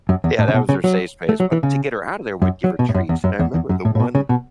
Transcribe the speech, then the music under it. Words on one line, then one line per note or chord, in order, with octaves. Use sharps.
Yeah, that was her safe space, but to get her out of there, we'd give her treats, and I remember the one
F#2
E2
A2
C#3
B2
C#3
F#3
A3
F#3
E3
C#3
F#2
F#3
B2
A2
F#2
E2
F#2
E2
E2
F#2
A2
A2
B2
C#3
B2